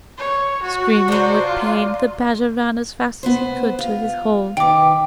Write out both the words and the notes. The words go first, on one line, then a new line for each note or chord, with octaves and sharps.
Screaming with pain the badger ran as fast as he could to his hole.
C#5
F#4
F#3 D4 C5
F4
B3 B4 C5
F4
D#3 B4 G5 D6